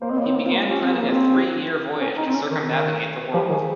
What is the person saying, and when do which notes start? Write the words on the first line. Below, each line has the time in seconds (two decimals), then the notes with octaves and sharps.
He began planning a three-year voyage to circumnavigate the world.
0.02 A#3 C5
0.10 C4 D#5
0.17 A#3 C#5
0.24 C4 C5
0.36 A#3
0.44 C4 F4
0.52 A#3
0.68 C#4 G4
0.82 C4
0.90 G#4
0.96 A#3
1.10 C4 G#4
1.34 G4
2.01 C#4
2.18 D#4
2.26 C4
2.34 C#4
2.51 D#3
2.68 D#3
3.34 F3 G4
3.50 D#3 G#4